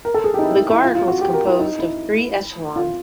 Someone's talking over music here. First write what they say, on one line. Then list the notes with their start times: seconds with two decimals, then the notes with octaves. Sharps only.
The Guard was composed of three echelons.
0.05 A#4
0.14 A4
0.24 G#4
0.34 D#4 G4
0.43 E4
0.57 D#4
0.70 E4
0.82 F4
0.95 F4
1.08 F#4
1.21 G4
1.34 A#4
1.47 E4
1.59 D#4
1.79 E4
2.76 F4